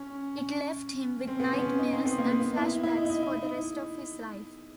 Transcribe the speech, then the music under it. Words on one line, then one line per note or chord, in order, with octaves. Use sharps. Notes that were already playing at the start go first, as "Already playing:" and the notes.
It left him with nightmares and flashbacks for the rest of his life.
Already playing: C#4
C4
B3
C#4
D#4
C4
B3
A#3
B3
E4
E4
D#4
D#4
E4
D#4